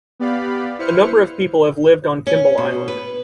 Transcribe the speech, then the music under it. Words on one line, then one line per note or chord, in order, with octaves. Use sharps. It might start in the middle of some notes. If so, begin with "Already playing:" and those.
A number of people have lived on Kimball Island.
B3 G4 D5 F5 B5
E4 B4 C5 F6 C#7
C#4
B2
B4